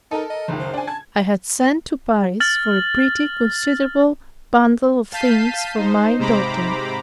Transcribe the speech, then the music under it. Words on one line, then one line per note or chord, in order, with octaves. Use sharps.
I had sent to Paris for a pretty considerable bundle of things for my daughter.
D#4 A4 A#4
D#5
F#1 C#2 D#3
C5
D4 G#5
A5 G#6
F6 A6 F#7
F5 A5 G6 B6 C7 D#7
D#4 C5
G#2 C3 C5 A#5 B5 D6